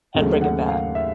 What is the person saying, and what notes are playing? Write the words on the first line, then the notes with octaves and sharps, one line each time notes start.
and bring it back.
D#2 C#3 F#3 A3
F#5
F5
E5